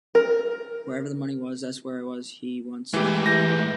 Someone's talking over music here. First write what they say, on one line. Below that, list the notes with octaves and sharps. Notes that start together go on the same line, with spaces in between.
"Wherever the money was, that's where I was," he once said.
A#4
A2 E3 G#3 G4
E3 G6 A#6